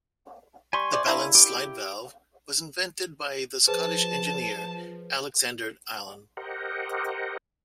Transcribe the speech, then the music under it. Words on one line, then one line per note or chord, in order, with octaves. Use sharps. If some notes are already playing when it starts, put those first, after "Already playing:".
The balanced slide valve was invented by the Scottish engineer Alexander Allan.
G3 G#5 C6 C#6
C3 D5
A#3 D4 E4
G4
F3 G#4 B4 C5 A5
G4 A#4 C5 D#5 F#5